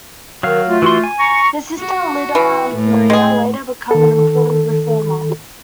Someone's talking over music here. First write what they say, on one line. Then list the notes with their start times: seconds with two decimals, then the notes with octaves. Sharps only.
His sister, Lydia Maria, later became an important reformer.
0.43 D#3 F#3 F5
0.67 A3 F4
0.82 E3 F#4 C6
1.04 G#5
1.19 A#5 C#6
1.79 F#4
2.35 E3
2.74 A2
3.10 G#3 G#4
3.91 D#3 A4